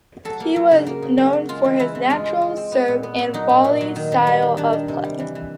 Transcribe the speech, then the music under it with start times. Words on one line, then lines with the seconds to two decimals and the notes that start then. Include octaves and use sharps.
He was known for his natural serve-and-volley style of play.
0.25 F#3 A4
0.40 A#3
0.56 F#3
0.71 C#3
0.87 A#3
1.02 C#3
1.18 F#3
1.33 F#3
1.49 G#3 F4
1.64 E3
1.80 E3 E4
1.95 E3
2.10 G#3 F4
2.26 G#3
2.42 G#3
2.57 C4
2.72 B3
2.88 A#2
3.03 B3
3.19 A#2
3.34 F#3 D#4
3.49 A#2
3.64 A#2
3.81 F#3
3.96 D#3
4.12 D#3
4.27 G3
4.42 D#3
4.57 D#3 D4
4.73 D#3
4.88 C3
5.04 G3
5.19 E3
5.35 E3